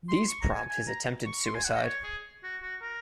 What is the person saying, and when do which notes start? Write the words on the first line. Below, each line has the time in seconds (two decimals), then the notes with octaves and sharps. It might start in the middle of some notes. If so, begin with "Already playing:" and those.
These prompt his attempted suicide.
0.09 C6
0.29 C#6
0.42 A#5
0.54 G#5
0.68 G#5
0.87 A#5
1.26 C#6
1.46 C6
1.55 G#5
1.65 F#5
1.75 D#5
1.84 C#5
2.04 G#4
2.44 F#4
2.62 F#4
2.82 A#4